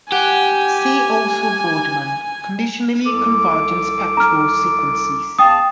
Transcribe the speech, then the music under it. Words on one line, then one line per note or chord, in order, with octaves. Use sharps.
See also Boardman, Conditionally Convergent Spectral Sequences.
G4 F#5 G#5
C2 A4 D6
A#5 F6
E2 F5 G5 A5 D#6